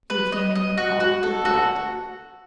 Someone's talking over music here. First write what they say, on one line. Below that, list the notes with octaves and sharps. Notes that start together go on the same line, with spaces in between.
You came in and all grew bright.
B4
D#5
D#5
F#4
F#4
A4
F#4